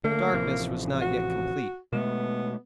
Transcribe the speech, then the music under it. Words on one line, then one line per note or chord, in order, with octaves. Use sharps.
The darkness was not yet complete.
D3 A3 A#3
A1 C3 F3
F#4
B2 G#3 A3 B3